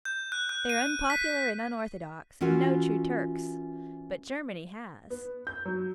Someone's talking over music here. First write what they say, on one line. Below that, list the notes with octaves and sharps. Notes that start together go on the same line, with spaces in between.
They are unpopular and unorthodox, and no true Turks. But Germany has.
G6
F#6
F#6
D#7
B6
E3 C#4 F4 F#4 A#4
B3
G6
F#3